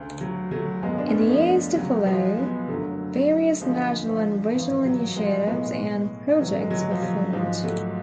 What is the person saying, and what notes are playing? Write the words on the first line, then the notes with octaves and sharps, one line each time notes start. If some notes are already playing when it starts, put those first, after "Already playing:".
In the years to follow, various national and regional initiatives and projects were formed.
Already playing: D2 C#3
F#3
F#3 A3
G#1 F#2 C#3 G#3 B3
D4
C#4
B3
A3
F3 G#3
C#2 C#3 F#3
F3 G#3
G#3 B3
F#1 F#2 D3 F#3 A3
D2 D3 F3 G#3
F3
A1 G#2 F3
F#3
F3 G#3
B1 A2 G#3 B3
A1 G#2 F#3
A3
G#3
F#3
F3
F#3
G#1 G#2 F3 G#3
F#3 A3